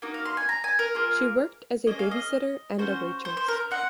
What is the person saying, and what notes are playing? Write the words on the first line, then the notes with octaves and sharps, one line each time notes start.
She worked as a babysitter and a waitress.
A#3 D#4 F#4
F5
C6
G#5
A#5
G#5
A#4
A#3 F4 G#4
A#3 C#4 G#4 D#5
F5
D#5
C#4 F#4 C5
C5
C5
A#4
C4 D#4 F#5